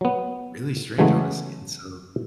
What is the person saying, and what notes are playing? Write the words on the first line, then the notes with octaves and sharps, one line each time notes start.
really strange, honestly, and so
F#3 B3
C#3 E3 F#3 G#3 A3 B3